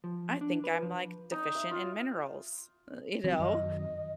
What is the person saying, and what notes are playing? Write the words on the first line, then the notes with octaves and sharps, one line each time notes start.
I think I'm, like, deficient in minerals, uh, you know?
F3
D4
B4
F3
D#4
E5
F4
E3 F#3 C4 F#4
F#2 D#3 F#3 D#5